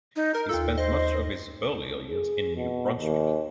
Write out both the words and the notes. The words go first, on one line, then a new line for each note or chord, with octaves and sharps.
He spent much of his earlier years in New Brunswick.
D#4
A#4 A#5
D#2 F4 A4 E6
C5 D#5
G#4
B2
D#2